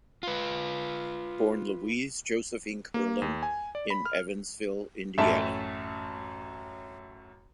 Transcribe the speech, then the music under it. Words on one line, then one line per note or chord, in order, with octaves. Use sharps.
Born Louise Josephine Kerlin in Evansville, Indiana.
F4 B4
A#3
D#2
G#5
D5
B5
F6
A1 F#2 A3 E5 A5